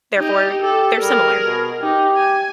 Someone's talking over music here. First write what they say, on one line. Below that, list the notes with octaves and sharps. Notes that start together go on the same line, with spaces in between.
therefore, they're similar,
D#4 G4
G4 A4
G3 G#4 A#4
B2
D#4 G4
G#5